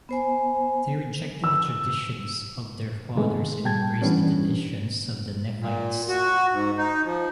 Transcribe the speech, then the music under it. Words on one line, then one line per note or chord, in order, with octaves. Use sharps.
They rejected the traditions of their fathers and embraced the traditions of the Nephites.
B3 C5 G#5
E6
C3 D#3 G#3 A3 B3
B2 G3 G5 A5 G#6
E3 G3 B3 C#4 D4
A#2
F#4
G#2
D#4
F3